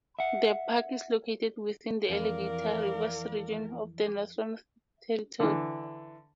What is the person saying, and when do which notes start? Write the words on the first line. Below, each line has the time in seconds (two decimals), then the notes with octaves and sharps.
The park is located within the Alligator Rivers Region of the Northern Territory.
0.19 E5 F#5
2.10 F2 E3 A#4 D5 F5
5.40 D3 E3